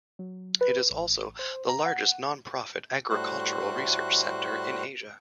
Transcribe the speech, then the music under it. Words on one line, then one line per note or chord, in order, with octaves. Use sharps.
It is also the largest non-profit agricultural research center in Asia.
F#3
B4
A1
C5
A#5
F#5
A2 G3 A3 F#4 C5 F#6